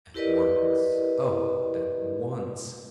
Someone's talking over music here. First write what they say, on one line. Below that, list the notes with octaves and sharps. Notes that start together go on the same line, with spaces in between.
At once--oh, at once!
E4 G4 A#4 B4 D5 D#5